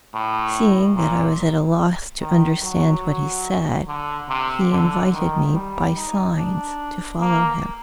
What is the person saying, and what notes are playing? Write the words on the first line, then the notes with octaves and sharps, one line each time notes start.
Seeing that I was at a loss to understand what he said, he invited me by signs to follow him.
A2
A#2
D#3
F#3
D3
C3
D3
D#3
G3
D#4
D4
A#3